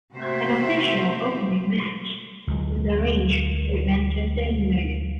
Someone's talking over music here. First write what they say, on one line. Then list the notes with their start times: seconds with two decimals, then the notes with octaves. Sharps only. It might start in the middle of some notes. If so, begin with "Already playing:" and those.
An official opening match was arranged with Manchester United.
0.14 C3 A3 A#3 F#4 C5 E5
2.47 D2 F#3 G#3